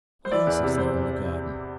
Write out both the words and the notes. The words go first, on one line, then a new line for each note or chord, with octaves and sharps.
"What else is there in the garden?"
C5
E3 D5
E2
C3
E2 C5